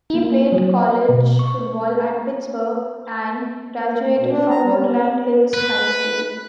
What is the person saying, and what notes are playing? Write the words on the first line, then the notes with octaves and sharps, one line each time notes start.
He played college football at Pittsburgh and graduated from Woodland Hills High School.
A#3
F#3
D#5
B2
C#6
B2
D4
A#5
G3
B4